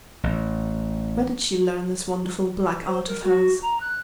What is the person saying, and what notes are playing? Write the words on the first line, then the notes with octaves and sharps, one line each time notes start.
"Where did she learn this wonderful black art of hers?"
A1
C5
A#4
F#4
A#5
F#6